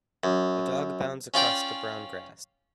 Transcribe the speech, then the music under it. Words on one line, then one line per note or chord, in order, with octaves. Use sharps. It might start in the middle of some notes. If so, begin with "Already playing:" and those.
A dog bounds across the brown grass.
F#2
C#4 F4 D5 G5